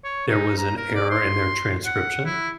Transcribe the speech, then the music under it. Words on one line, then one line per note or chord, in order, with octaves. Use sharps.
there was an error in their transcription?
C#5
D#4
A#5
A#4
D5
C6
F#5
E4